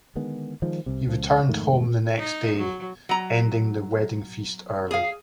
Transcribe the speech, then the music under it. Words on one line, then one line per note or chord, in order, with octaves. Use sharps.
He returned home the next day, ending the wedding feast early.
D3 D#3 G#3 B3
D#3 F3 G#3
C2 C3
C#2 F3
F2 G#2 D#3 A3
D#4
F#3
F#3 A#5
G#4 F5